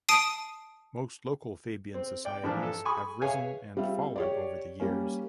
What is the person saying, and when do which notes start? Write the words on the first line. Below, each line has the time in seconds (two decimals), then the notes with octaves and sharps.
Most local Fabian societies have risen and fallen over the years.
0.09 A5 D#6 C7 D7 D#7
1.94 C4
2.25 D5 G5
2.44 G2 E3 F3 D4 A#4
2.63 A4
2.85 G#5 B5 C#6 D#6
3.22 G#4 B4 C#5 E5 F5 G#5
3.77 G3 C4 F4 E5
4.16 G4 C#5 D5
4.80 G3 A#3 C#4